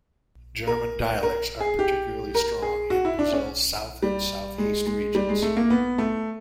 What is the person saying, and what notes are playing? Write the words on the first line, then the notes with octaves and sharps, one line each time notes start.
German dialects are particularly strong in Brazil's South and Southeast Regions.
A#4
A#4
G#4
G4
A#4
G#4
F#4
E4
D4
C#4
G3
G#3
G#3
G3
G#3
A3
A#3
B3
A3